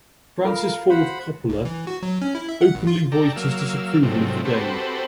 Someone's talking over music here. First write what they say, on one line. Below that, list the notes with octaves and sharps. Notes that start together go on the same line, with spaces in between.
Francis Ford Coppola openly voiced his disapproval of the game.
F4 A4 A#4 F5 B5
F#4 C5 F#5 B5
C2
E3
F#4
F#3
C#4
E4
E5
F#5
G#1
F4
A4 D5 G5 A#5
F#3 A#3 F5 E6
G#2 C3 F3 F#3 A3 C4
C4 F#4 G4 A4 B4 C5